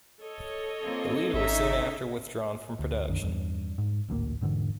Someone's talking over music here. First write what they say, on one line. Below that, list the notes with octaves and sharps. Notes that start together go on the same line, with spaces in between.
The Leader was soon after withdrawn from production.
A4 C#5 D#5
A#3 C4 F4
G#1 C#4 D#4 E5
D2
B1 F#2 D#3
E2 G2
G#2
A1 D2 D#3 A#3
E1 G#2 D3 E3